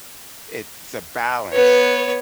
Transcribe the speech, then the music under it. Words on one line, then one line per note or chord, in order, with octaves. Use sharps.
It's a balance,
B3 B4 C#5